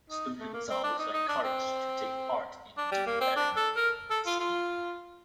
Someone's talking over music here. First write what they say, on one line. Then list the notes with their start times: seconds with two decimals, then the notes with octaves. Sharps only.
Students are also encouraged to take part in the Duke of Edinburgh Award Scheme.
0.10 D#4
0.40 A3
0.54 A#3
0.70 C4
0.84 D4
0.99 D#4
1.14 D#4
1.29 D4
1.43 C4
2.77 D4
2.92 G3
3.07 A#3
3.21 C4
3.36 D4
3.56 A4
3.76 A#4
4.10 A4
4.26 F4
4.40 F4